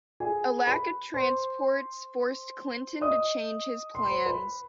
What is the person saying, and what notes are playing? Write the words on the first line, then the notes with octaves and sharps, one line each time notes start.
A lack of transports forced Clinton to change his plans.
G#4 G#5
B4 B5
C5 C6
D#5 D#6
C6
B5
C5 C6
B4 B5